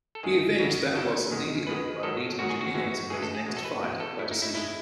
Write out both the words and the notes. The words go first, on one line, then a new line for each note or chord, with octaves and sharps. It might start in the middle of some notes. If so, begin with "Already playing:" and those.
He avenged that loss immediately by beating Jimenez in his next fight, by decision.
A4
E2 D#3 G#3 G#4
F#2 C#3 F#3
F#2 C#3 F#3 A4
F#2 D#3 G#3
F#2 D#3 G#3 B4
G#2 D#3 F#3 A4
G#2 D#3 F#3 F#4
G#4
F#4
A2 E3 G#3 F#4
A2 E3 G#3 G#4
A4
G#4
E2 B2 G#3
A4
B4
E2 B2 G#3
A4
A2 G#3 E4
D#4
E4
A2 G#3 E4